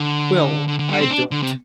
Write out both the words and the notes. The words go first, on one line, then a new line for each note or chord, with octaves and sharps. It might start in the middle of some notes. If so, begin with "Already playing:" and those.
Well, I don't.
Already playing: D3
D3
D3
G3
C4
D4
D3
C3